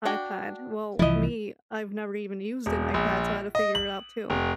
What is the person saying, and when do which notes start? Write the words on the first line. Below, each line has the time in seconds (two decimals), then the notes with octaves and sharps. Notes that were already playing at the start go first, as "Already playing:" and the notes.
iPad. Well, me, I've never even used an iPad, so I had to figure it out too.
0.05 D4 F#4 G5
0.99 C2 E3 F3 E4 D#5
2.66 E1
2.94 A#1
3.55 D#5
3.75 F#7
4.30 F1